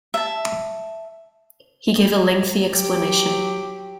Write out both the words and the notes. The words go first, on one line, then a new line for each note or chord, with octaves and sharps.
He gave a lengthy explanation.
E5 A5
F#3 G4